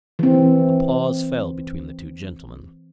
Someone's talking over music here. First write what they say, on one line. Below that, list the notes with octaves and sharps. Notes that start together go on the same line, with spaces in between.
A pause fell between the two gentlemen.
E3 C4